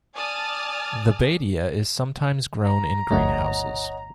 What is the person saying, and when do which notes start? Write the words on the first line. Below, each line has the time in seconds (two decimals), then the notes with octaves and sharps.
The badea is sometimes grown in greenhouses.
0.14 D5 G#5 A5 D#6 F6 A6
2.64 A#5
3.11 G1 D2 A3 C#5 D#5 F#5